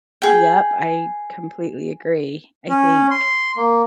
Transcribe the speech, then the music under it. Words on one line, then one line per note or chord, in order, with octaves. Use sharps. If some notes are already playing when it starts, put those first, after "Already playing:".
Yep, I completely agree. I think
G#4 G5
C#4
C6
A#3